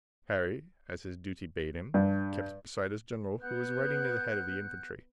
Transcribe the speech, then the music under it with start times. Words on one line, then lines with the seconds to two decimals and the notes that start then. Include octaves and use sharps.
Harry, as his duty bade him, kept beside his general, who was riding near the head of the infantry.
1.94 G2
3.41 B3 F#5 F#6 G6